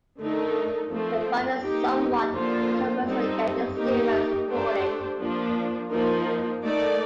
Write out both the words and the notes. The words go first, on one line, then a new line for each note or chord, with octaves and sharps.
The fund is somewhat controversial yet is still well supported.
D3 A3 D#4 A#4
F3 A3 C4
A#3 D#4 G4
D3 F3 A#3 F4 C5
G3 C4 D#4 A4
A#3 D#4 G4 A#4
A3 D4 G4 C5
F3 A#3 D4
F3 A#3 D#4 A#4
A3 D#4 A#4 D5